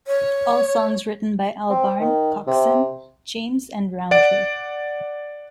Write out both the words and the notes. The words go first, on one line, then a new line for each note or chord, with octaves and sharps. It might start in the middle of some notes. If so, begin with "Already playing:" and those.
All songs written by Albarn, Coxon, James and Rowntree.
C#5
C4
D#3
C3
D5 F#5 A6 D7